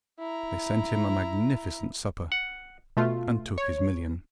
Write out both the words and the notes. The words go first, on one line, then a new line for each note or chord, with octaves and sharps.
They sent him a magnificent supper, and took his million.
E4 A#5
F#5
B2 A3 F4
C#5